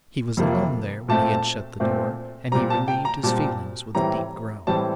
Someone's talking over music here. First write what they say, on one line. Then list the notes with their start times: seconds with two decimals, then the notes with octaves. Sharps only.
He was alone there when he had shut the door--and he relieved his feelings with a deep groan.
0.37 F2 C3 F3 A#3
1.08 A#2 A3 C4 A5
1.80 A#2 A3 C4
2.52 A#2 G3 C4 A#5
2.70 A5
2.88 G5
3.05 A#5
3.23 A#2 G3 C4 A5
3.95 A2 E3 G3 C4 A#5
4.67 A2 E3 G3 C4 A5